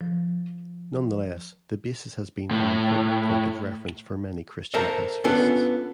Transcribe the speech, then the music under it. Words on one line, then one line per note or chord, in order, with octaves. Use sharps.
Nonetheless the Basis has been an important point of reference for many Christian pacifists.
F3
A2
A4 A#4 C5 E5 A5 A#5
B3 C#4 D4 F4 A4 B4